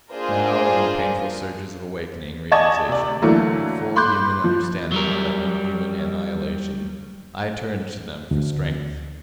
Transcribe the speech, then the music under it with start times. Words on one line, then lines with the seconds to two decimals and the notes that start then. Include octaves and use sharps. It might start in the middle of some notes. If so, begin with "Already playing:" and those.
Now in the painful surges of awakening realization, of full human understanding of that inhuman annihilation, I turned to them for strength.
0.13 A#3 D4 F4 G#4 A#4 C5
2.51 D5 D#5 G#5 A5 C#6 G#6
2.88 C3 D5
3.22 D3 E3 F#3 A3 A#3
3.96 B5 C6 D6 F#6 G6
4.44 F3
4.92 F#3 G3 A#4
8.31 D2